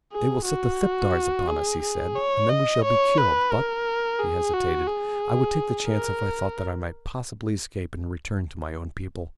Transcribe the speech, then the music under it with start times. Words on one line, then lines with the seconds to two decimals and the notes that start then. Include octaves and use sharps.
"They will set the thipdars upon us," he said, "and then we shall be killed; but--" he hesitated--"I would take the chance if I thought that I might possibly escape and return to my own people."
0.13 G#4
0.46 F#4
1.48 G#4
1.83 G#4
2.15 C#5
2.50 D#5
2.84 C#5
3.17 B4
3.52 A#4
4.19 G#4
4.54 F#4
4.87 G#4
5.89 A#4